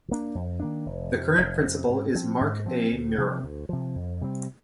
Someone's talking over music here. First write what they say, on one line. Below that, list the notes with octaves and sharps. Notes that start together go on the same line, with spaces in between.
The current principal is Mark A. Murrell.
D#3
A#3 D4
F2
D#3 A#3 D4
F1
F2 C3
F1
F2 C3
G#2
F3 C4
G#2
F3 C4
D2
C3 F3
D2
C3 F3
F2
C3 G3 C4